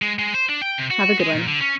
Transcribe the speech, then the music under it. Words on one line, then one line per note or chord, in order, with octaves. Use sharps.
Have a good one.
G#3
G#3
C5
D4
G5
C3
F#4
G#3
A#2
D3
C#4